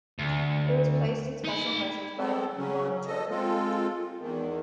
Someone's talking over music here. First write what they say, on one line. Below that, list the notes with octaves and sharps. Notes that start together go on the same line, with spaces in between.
It was placed in special measures by Monitor.
D2
D#4 B5
G#3 B3 C4 A4
C#3 F#3 C#4
A4 D#5
G#3 C4 F4 A4
E2 D#3